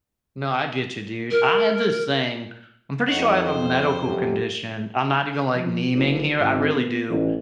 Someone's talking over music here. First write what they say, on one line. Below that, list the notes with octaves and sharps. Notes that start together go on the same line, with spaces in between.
No, I get you, dude. I have this thing I'm pretty sure I have a medical condition. I'm not even, like, naming here, I really do.
A#4
F2 D#4 C#5 F#5
C5
F#2 G4
F3
F#1
G#1
B3
A1